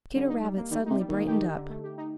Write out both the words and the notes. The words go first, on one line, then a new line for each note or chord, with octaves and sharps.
Peter Rabbit suddenly brightened up.
D3 G3
D#4
G3
A#3
D#3 G3
C3 D#4
G3
D#3
A#3
G4
D#4
D3
A3
G4
D#4